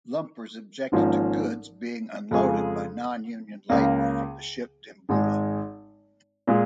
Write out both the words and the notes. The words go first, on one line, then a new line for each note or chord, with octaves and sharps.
Lumpers objected to goods being unloaded by non-union labour from the ship "Dimboola".
G#1 G#2 F3 A#3 C#4
F2 C#3 G#3 F4 G#4
C#2 C#3 A#3
G#1 G#2 G#3
A#2 G#3 F4 G#4